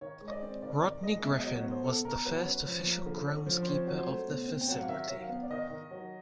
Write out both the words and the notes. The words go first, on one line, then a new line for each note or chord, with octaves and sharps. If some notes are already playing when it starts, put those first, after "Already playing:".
Rodney Griffin was the first official groundskeeper of the facility.
D#3 C#5
G#3
D#5
D5
C4
D#3 D5
D#3 D5
G#3 D#5
B2 E5
D#5
F#3
C#5
B3
C5
B2 A4
B2 A#4
F#3 B4
C#4
F3
A#3
D3
C#4
F3
C5
C4 C#5
F#3
C5
A3
B2
C4
G5
F#3 F#5
F5
D#3 E5
F#3
F5
B3
D5
D#3 D#5
D#3
F#3